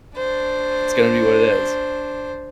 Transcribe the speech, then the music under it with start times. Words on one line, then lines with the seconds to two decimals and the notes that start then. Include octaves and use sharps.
it's gonna be what it is,"
0.17 D4 C5